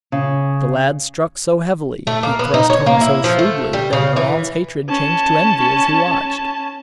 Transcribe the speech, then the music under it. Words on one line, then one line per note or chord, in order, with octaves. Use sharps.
The lad struck so heavily, he thrust home so shrewdly, that Milon's hatred changed to envy as he watched.
C#3
A3
A#3
B3
D#4
C#5
A#3
E4
F3
A3
G3
C#3
E3
C#4 A5